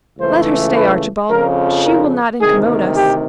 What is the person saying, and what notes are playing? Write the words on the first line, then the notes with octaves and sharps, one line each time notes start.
"Let her stay, Archibald; she will not incommode us."
C#2 C#3 E3 A3 C5
B4
F2 C#3 F3 A#4
A#4
D2 C3 D#3 G#4
G4